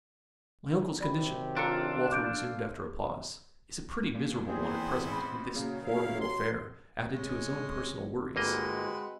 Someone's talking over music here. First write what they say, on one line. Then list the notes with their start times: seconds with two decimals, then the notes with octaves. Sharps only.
"My uncle's condition," Walter resumed after a pause, "is a pretty miserable one at present, with this horrible affair added to his own personal worries."
1.00 C3 D#3 F#3 D5 B5
1.57 D4 F4 A4 C#5 A#5 C#7
2.12 D6 G6 D7
4.14 A#2
4.47 E2 B3 C4 E4 G#4 C5
5.08 A1 B5
5.55 A#2 C#3 F#3
5.85 F#3 E4 F5
6.20 C6
7.09 G#3 C#4
8.36 G1 G#3 A#3 C4 F#4 B4 D#5